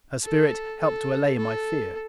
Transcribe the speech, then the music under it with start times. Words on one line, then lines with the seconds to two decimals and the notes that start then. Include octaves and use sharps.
Her spirit helped to allay my fear.
0.24 A4
0.80 A4
1.37 A4